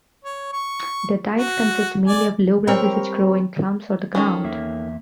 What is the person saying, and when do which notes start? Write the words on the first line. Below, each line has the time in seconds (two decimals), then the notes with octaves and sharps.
Their diets consist mainly of low grasses which grow in clumps on the ground.
0.25 C#5
0.53 C#6
1.36 F#4
2.06 D5 G#5
2.67 G3 C4 A#4 C#5 G5
4.15 D#3 C#4 A4
4.44 E2 A#3 E5